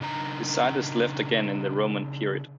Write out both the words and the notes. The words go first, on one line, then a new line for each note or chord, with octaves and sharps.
The site is left again in the Roman period.
C#3 D4 D#4 A#5